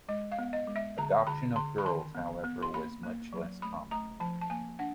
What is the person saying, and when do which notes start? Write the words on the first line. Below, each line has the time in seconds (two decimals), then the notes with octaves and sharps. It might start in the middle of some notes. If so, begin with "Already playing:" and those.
Adoption of girls, however, was much less common.
0.09 G#3 D#5
0.32 F5
0.39 B3
0.53 D#5
0.68 G#3
0.76 E5
0.98 D3 A#5
1.27 D3 B5
1.56 D3 C6
1.78 B5
1.85 D#3 C6
2.15 B3
2.44 B3
2.62 C6
2.74 A#3 B5
3.03 A#3
3.33 F#3
3.62 A3 B5
3.91 A3 A#5
4.20 F3 A5
4.41 A5
4.50 A#3 G#5
4.79 D4 F#5